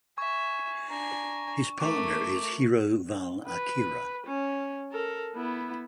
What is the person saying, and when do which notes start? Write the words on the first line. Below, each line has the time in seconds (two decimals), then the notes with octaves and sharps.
His partner is Hiro val Akira.
0.18 E5 G#5 C#6
0.90 D4 G#5 A#5
1.79 A3 A#4 D6
3.47 B4
4.26 C#4
4.92 A4 A#4
5.35 B3 E4